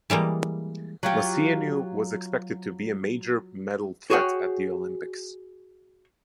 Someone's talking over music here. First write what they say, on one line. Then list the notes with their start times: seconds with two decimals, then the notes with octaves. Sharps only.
Moceanu was expected to be a major medal threat at the Olympics.
0.10 E3 G3 G#3 A#3
1.03 F#3 F4 G4
4.10 F#4 G#4 C#5 F#5 G5